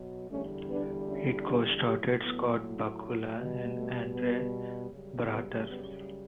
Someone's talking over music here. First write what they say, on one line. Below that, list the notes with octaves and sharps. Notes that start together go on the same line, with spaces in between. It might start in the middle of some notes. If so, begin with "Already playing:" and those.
It co-starred Scott Bakula and Andre Braugher.
Already playing: B2 F#3
E2 D3 G3 A3 C#4
B3 D4
C#4 E4
D4 F#4
A2 F#3 E4 G4
B3
B2 G3
A3
B3
F#2 C#3 G3
B3
B3